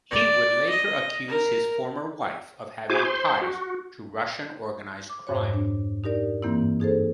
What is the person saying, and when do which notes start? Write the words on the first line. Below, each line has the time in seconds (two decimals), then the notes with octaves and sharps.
He would later accuse his former wife of having ties to Russian organized crime.
0.11 D5
0.69 D#5
1.28 A#4
2.90 E4 F#4 G#4 C5 G#5 D6
3.05 C5 C6
3.42 F#4
5.10 D6
5.27 F2 G#2 F#4 C5 C#5
5.54 D4
6.04 D#4 G4 A#4 D5
6.42 G2 E3 A#3 C4 E4
6.80 D#4 G#4 A4 C5